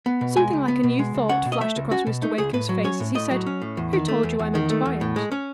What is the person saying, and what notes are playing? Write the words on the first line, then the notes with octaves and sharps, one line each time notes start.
Something like a new thought flashed across Mr. Wakem's face as he said, "Who told you I meant to buy it?"
B3
B2
G#3 G#5
C#2
B3
B2
G#3
C#2
C#4 F#5
B2
D#5
A3 E5
C#2
C#4 F#4
B2
A3 D#4
C#2 G#4
A2 B4
F#3
C#4 C#5
A2
A2 D#5
F#3
C#4
A2
E2
D#3
A3
E2
E2
D#3
A3
E2
A2
G#3
C#4